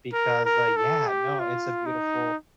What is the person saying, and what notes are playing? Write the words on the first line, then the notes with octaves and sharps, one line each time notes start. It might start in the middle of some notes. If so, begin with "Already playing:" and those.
because, uh, yeah, no, it's a beautiful
A#4
A#4
A4
G4
F4
D#4